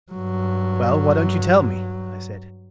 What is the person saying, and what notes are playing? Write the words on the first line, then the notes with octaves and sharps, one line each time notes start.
"Well, why don't you tell me?" I said.
G2 F#3